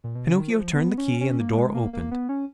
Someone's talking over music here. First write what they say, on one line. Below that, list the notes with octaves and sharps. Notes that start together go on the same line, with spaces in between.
Pinocchio turned the key and the door opened.
A#2
B2
C#3
D#3
F3
B3
C#4
C#4
A#3
G#3
A#3
A#3
B3
C#4